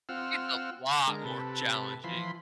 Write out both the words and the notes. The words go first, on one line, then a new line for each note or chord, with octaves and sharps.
It's a lot more challenging.
C4 F4 F#5 E6 F6
D3 G#3 A#4
C3 A4 B4
E3 F3 B5 C6